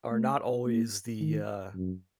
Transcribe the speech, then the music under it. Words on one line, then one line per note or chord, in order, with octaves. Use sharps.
are not always the uh
A3
A#3
D#3
F#2